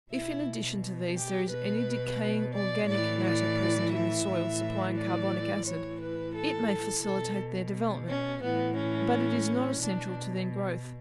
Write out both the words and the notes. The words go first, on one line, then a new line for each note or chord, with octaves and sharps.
If, in addition to these, there is any decaying organic matter present in the soil supplying carbonic acid, it may facilitate their development; but it is not essential to their growth.
B2 E4
G4
B2 B4
D5
A2 D5
E3
D5
E5
A2 E3
D5
A2 E3 C#5
B4
A4
B2 A4
C#4
A2 E3 B3
C#4
B2 D4